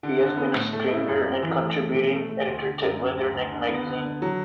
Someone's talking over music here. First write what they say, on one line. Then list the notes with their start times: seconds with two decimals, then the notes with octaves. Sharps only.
He has been a stringer and contributing editor to Leatherneck Magazine.
0.03 D3
0.20 D3
0.37 B3
0.55 A2
0.73 A3
0.91 E4
1.08 F#2
1.24 F#2
1.43 E3
1.59 A3
1.78 A3
1.94 B2
2.13 A3
2.29 A3
2.47 D2
2.64 D3
2.82 F#2
3.00 F#2
3.17 D2
3.34 D2
3.52 D3
3.69 B3
3.87 D3
4.04 D3
4.22 F#3